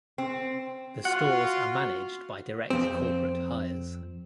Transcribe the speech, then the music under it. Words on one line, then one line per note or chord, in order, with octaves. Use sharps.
The stores are managed by direct corporate hires.
C4
F4 F#4 F#5
F2 C4